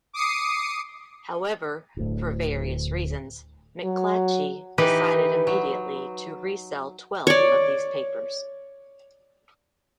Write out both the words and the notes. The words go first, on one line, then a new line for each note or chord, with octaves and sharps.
However, for various reasons, McClatchy decided immediately to resell twelve of these papers.
D6 D#6 C7 C#7 D#7
D1 D2 A2
F#3
E3 D#4 G4 B4
F#3
C#5 D5